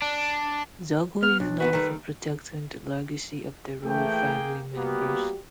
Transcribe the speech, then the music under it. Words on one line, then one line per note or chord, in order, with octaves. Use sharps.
Zogu is known for protecting the legacy of the royal family members.
D4
B3 F6
B1 D4
D#3 B3 F#4 B4
D#3 G3 A3
E3 A3 A#3 G#4 G5
G3 A#3 B3 F#4 G4